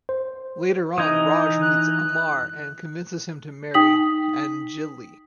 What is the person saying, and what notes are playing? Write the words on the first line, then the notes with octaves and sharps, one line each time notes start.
Later on Raj meets Amar and convinces him to marry Anjali.
C5
E3 D#4 D#6 G#6
F#6
D#4 G5 D#6 B6 F#7